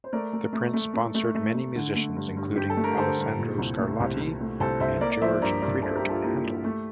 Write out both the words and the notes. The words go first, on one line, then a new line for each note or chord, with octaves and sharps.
The prince sponsored many musicians including Alessandro Scarlatti and George Frideric Handel.
C5
A3 A#4 D5
A3
A3
A3
A3
A3
A3
A3
D3
A3
G2
G2
G2 G4
A4
A3
A#4
D3 A4 C5
G2
A#2
C2
A3
C2
C2
A3
C2 A4 C5
C2 C5 E5
A#3 A#4 D5
D5
F3 C5 E5
G2 A#4 D5
G2 A#4 D5
G2 A4 C5
G4 A#4
G2
F4 A4
A#3 E4 G4
G2
A3